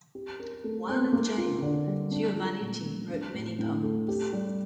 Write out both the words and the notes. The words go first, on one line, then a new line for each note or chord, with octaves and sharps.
While in jail, Giovannitti wrote many poems.
G4
A#4
A3
C4
A#3
F4
D3
G3
D4
F4
A#2
A3
D4
A2
A2
A3
G4
G3